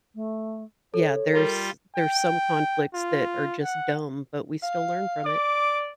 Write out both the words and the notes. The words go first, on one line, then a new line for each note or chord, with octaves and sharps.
yeah, there's there's some conflicts that are just dumb, but we still learn from it.
A3
A4 C#5
G3 F4 A#4
G5
F4
F#5
F5
D5 D6